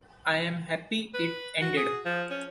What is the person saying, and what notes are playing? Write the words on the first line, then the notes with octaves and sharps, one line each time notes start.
I am happy it ended.
B4
F#4
G#4
F3
C#4